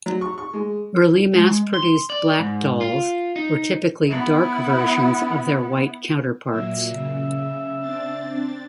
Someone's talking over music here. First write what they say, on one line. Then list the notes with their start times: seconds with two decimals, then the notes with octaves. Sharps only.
Early mass-produced black dolls were typically dark versions of their white counterparts.
0.06 F#3
0.21 C#6
0.38 C#6
0.54 G#3
1.35 G#3
1.74 C6
2.10 D5
2.39 G#2
2.81 F4
3.36 D#4
4.08 B3 E4
6.51 A#2 F#3 A#3 E5
6.88 C#3
7.78 C4 D4 A6